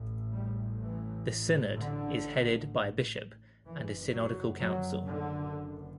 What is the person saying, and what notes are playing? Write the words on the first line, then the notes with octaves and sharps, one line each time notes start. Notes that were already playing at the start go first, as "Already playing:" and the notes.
The synod is headed by a bishop and a synodical council.
Already playing: A1 A2
G3
E3
D3
F#1 F#2 E3
F#3
F#3
D3